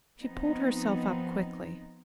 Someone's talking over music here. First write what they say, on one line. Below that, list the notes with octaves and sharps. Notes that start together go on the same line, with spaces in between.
She pulled herself up quickly.
F3 B3 C4 D#4